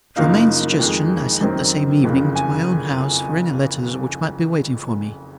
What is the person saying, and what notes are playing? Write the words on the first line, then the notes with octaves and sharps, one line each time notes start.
At Romayne's suggestion, I sent the same evening to my own house for any letters which might be waiting for me.
F#1 F#2 F3 A#3 D#4 F5
F2 D#3 G#3
F#2 D#3 F#3 C4
F#1 F2 C#3
G#5